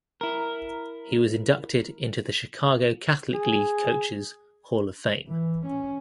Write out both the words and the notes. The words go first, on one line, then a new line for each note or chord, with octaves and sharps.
He was inducted into the Chicago Catholic League Coaches Hall of Fame.
E4 A#4
G#4
E3
C#4